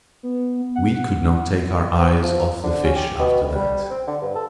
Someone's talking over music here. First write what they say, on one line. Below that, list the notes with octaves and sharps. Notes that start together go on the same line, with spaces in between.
We could not take our eyes off the fish after that.
B3
F#5
C4
F3
D3
C#4
G4
B2
D2
G3
C4
D3
G2
A4